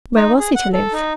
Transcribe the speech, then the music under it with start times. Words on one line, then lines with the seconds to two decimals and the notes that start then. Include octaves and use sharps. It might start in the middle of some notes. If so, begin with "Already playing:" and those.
Where was he to live?
0.16 D#4
0.39 G#4
0.55 F#5
0.73 A4
0.93 D#4